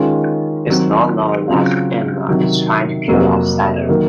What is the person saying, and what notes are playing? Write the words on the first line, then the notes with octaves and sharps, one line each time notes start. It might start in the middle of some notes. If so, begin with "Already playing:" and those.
It is not known that Ilona is trying to kill the Outsiders.
Already playing: D#3 G#3 C#4 F4
D#3 F#3 C4
C#3 F#3 C4 F4
C3 D#3 F#3
F2 C3 F#3 A#3
D#3 F#3 A#3